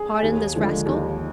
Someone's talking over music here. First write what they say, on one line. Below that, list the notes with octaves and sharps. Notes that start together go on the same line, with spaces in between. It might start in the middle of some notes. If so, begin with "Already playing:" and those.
"Pardon this rascal?"
Already playing: G#4
D#2
D3 F3 G#3
D#2